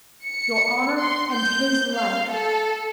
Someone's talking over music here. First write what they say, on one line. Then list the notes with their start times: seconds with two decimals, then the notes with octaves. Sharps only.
Your honor and his life!
0.25 C#7
0.98 C6
1.34 G6
1.94 F5
2.30 A4